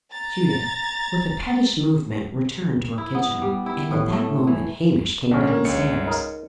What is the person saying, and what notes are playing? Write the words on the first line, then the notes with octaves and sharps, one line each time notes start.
Judith, with a pettish movement, returned to her kitchen; and at that moment Hamish came downstairs.
A#5 A6
E4
B3
G3
E4
A2
A3
E3
A#1 G#2 D3 C#4
A#3
C#2 C#5 C#7
D#4 A#4